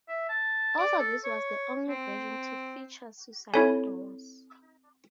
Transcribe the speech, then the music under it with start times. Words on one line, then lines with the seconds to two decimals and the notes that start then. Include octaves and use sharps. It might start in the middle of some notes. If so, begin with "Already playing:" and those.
Also this was the only version to feature suicide doors.
0.09 E5
0.30 A5
0.78 D5
0.99 A4
1.25 C#5
1.90 C4
3.54 C4 E4 A4 C#5 G#5